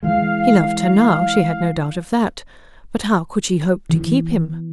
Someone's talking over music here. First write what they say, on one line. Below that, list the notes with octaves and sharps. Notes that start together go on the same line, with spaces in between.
He loved her now; she had no doubt of that; but how could she hope to keep him?
E3 G#3 F5
E3